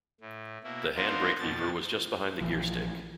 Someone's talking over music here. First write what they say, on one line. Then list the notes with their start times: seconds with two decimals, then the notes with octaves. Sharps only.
The handbrake lever was just behind the gearstick.
0.21 A2
0.64 B2 A#3 E4
0.96 B3 D4 D#4 F4 A#4 C5
1.39 F2 B2 F3 A6
2.41 A#1 E3 F3